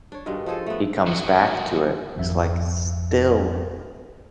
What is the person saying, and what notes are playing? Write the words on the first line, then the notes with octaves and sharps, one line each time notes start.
he comes back to it. It's, like, still,
D4 C#5
G2 B2 D#3 G#3
F3 D#4 G#4 A4
A3 B3
D#3 F#3
G#1 F2 E5